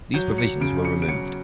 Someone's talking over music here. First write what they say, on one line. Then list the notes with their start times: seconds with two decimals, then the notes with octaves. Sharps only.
These provisions were removed.
0.14 F#3 G6
0.38 C#7
0.60 C#3 D7
0.85 C#7
1.02 D7
1.08 F#3 C#7